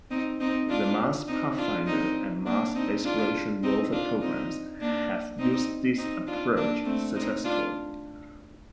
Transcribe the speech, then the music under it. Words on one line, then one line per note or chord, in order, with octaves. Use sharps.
The Mars Pathfinder and Mars Exploration Rover programs have used this approach successfully.
C4 D#4
C4 D#4
D4 F4
C4 D#4
D4 F4
C4 D#4
A#3 D4
C4 D#4
D4 F4
C4 D#4
D4 F4
C4 D#4
A#3 D4
C4 D#4
C4 D#4
D4 F4
A#3 D4
A3 C4
C4 D#4
D4 F4